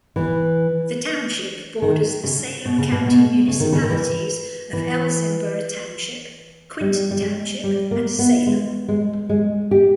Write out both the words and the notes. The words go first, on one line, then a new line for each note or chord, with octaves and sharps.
The township borders the Salem County municipalities of Elsinboro Township, Quinton Township and Salem.
E3
D#3
C#3
B2
C#3
B2
B2
C#3
D#3
C#3
D#3
E3
E3
G3
G3
G#3
G3
A#3
B3
G#3
G#3
G#3
G4